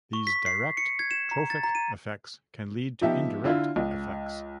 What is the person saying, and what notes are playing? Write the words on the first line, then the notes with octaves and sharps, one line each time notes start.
These direct, trophic, effects can lead to indirect effects.
C#6
B6
C7
C#7
G#6
E7
A#5
A6
A#5
D#7
F3 B3 D#4 G4 E5
D3 E4 F4
C#2